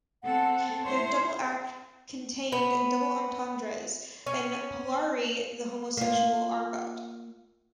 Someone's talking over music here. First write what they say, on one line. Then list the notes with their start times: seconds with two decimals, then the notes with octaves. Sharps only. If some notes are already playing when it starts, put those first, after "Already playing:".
Their double act contained double entendres and Polari, the homosexual argot.
0.24 C4 A4 F#5
0.84 E4 C5 C#5 C6
2.52 B3
4.27 C#4
5.97 A#3 F4